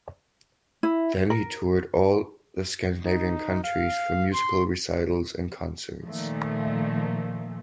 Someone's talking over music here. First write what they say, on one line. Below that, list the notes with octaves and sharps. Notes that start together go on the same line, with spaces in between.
Then he toured all the Scandinavian countries for musical recitals and concerts.
E4
A#4
D#4
F5
C6
A#2 D#3 F3 A3